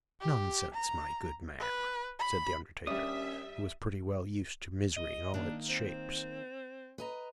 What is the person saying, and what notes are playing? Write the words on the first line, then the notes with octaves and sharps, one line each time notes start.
'Nonsense, my good man,' said the undertaker, who was pretty well used to misery in all its shapes.
G4
A#5
B4
B5
D#2 G3 C#4 D4 E5 D#6
D#5
D#3 A#3 D4
C4
B4 D#5 A#5